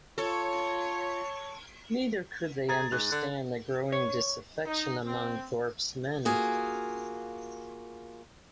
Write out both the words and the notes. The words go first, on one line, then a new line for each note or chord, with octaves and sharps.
Neither could they understand the growing disaffection among Thorpe's men.
F4 A4 C#5
G#4 A#5 A6
G#2 F#6
D3
C#5
D#4
C4
A#3 F4 F#4 G#4